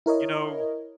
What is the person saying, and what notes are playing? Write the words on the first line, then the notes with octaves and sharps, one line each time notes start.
you know
E4 A#4 C#5 D#5